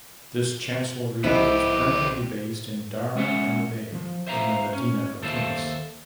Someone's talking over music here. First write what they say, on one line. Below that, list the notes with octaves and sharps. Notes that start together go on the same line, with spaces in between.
This chancellery was permanently based in Dar El Bey in the medina of Tunis.
C2 F3 G3 B3 E4 G4 C5 D#5
G#3 C#4 E5 F#5
C2 F3
C5 E5 F5 A#5
C#4
D#2 A4 C5 E5 F5 A5